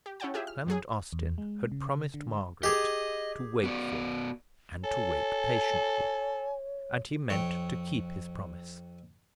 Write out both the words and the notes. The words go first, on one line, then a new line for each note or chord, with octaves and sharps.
Clement Austin had promised Margaret to wait for her, and to wait patiently; and he meant to keep his promise.
G4
C#4 E4 C#5 F#5 G5 A5
F4 G4 G#4 E5
F6
F#2 F#3 G#4
E2
G#3
C#3
D3
G4 G#4 D#5
B3 F#4 D5
A4 C#5 G#5
F2 C#5 G5